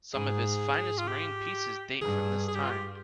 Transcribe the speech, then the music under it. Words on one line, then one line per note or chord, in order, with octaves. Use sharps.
Some of his finest marine pieces date from this time.
G#2 G#4
F4
G4
G2 G#4
G#4
G4
F4
G4